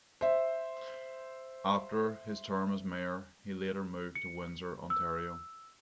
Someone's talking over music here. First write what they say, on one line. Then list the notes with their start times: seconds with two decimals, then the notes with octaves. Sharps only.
After his term as mayor, he later moved to Windsor, Ontario.
0.21 C5 E5
4.15 C#7
4.90 E6